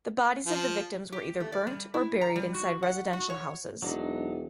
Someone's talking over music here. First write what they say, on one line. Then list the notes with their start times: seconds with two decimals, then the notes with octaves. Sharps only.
The bodies of the victims were either burnt or buried inside residential houses.
0.46 F3
1.12 G4
1.40 A3
1.52 D5
1.67 G3
1.94 E4
2.21 A#5
2.36 G3
2.54 F#4
2.83 F#5
3.13 F#4
3.30 C#5
3.82 E1 F#3 D4 D#4